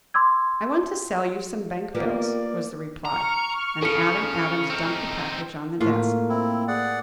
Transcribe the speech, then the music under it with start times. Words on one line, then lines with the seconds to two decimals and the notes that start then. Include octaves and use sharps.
"I want to sell you some bank bills," was the reply, and Adam Adams dumped the package on the desk.
0.14 C6 D6 E6 G#6
1.95 A#3 B3 F4 G4 A#4 D5
3.05 A#5 C#6 F6
3.82 C#3 A4 C#7
4.70 C4 D#4
5.80 A2 A3 A#3 F4
6.29 C4 E4
6.68 G#4 D5 F#5